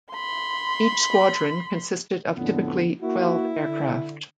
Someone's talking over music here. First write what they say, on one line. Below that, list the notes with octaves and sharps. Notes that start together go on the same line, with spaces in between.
Each squadron consisted of typically twelve aircraft.
B5 C6
F2 A2 D3 B3
A#3 E4 F#4
D3